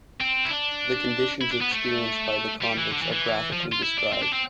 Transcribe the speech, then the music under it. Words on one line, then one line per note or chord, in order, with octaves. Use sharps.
The conditions experienced by the convicts are graphically described.
C4
E4
D4
E4
D4
B3
A3
G3
E3
D3
E3
E3
F3
F4
E4
D4
C4
D4
C4